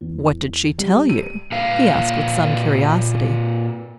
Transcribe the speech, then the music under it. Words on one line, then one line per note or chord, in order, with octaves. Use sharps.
"What did she tell you?" he asked with some curiosity.
E2
G3
D#7
A#2 B4 F5